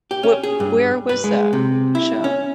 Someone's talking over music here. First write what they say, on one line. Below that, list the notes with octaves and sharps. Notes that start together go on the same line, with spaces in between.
What where was that shown?
G4
C#4
G#4
G2
B4
G#3
C3
E4
C#4